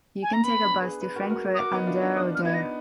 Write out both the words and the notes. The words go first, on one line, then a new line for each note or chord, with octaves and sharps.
You can take a bus to Frankfurt an der Oder.
G#5
A#5
B3 B5
D4
G#4 B4
G#4 B4
F#4 A#4
F#4 A#4
D#6
F#4 A#4 D6
B3 D#4
D4 F4
D4
D4 D#6
F6
B3 D#4 G#6
A#6